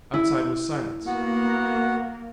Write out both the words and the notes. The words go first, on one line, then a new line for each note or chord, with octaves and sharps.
Outside was silence.
E4
A#3 B3 F#4 F#5